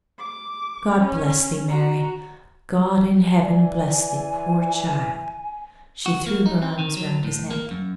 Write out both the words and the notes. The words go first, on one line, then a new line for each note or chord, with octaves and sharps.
"God bless thee, Mary!--God in heaven bless thee, poor child!" She threw her arms round his neck.
D6
C#4
F#4 A#5
E3 D5 G#5
F#4
A#3
D#4
C4
D#3
F#3
A2
A#3
F#2